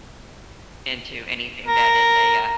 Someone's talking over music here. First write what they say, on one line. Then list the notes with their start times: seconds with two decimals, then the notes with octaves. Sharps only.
into anything that is a, uh
1.67 A#4